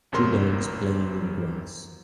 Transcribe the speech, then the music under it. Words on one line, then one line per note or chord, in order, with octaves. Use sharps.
Two dogs playing on grass.
G1 E2 C3 A#4 C6